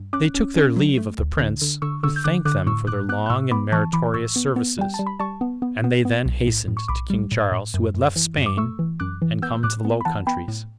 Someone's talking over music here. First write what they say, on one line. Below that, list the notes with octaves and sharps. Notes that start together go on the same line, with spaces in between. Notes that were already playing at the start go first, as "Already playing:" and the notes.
They took their leave of the prince, who thanked them for their long and meritorious services; and they then hastened to King Charles, who had left Spain and come to the Low Countries.
Already playing: G2
C#4 D6 F#6
C#4
C#4
F#3
A3
D2
D3
D3
D3 C#6 E6
D3 C#6 E6
G6
D3 D6 F#6
D3 D6 F#6
A2 C#6 E6
A2 D6 F#6
B3 D6 F#6
F#6
A2 C#6 E6
B3 B5 D6
E3 A5 C#6
E3 B5 D6
A2 C#6 E6
B3
B3
G3 G5
A5
G3
B5
G3 A5 C#6
B3
B3
B3
B3
B1
A2
A2
C#6
B1 B5 D6
G3
A2
A2
F#2
F#2
E3
F#2
D6
A3 C#6 E6
E3
F#2 D6 F#6
E3
B3 E6 G6
A2 D6 F#6
B3
B5
E3 F#5 A5
B3 G5 B5
A2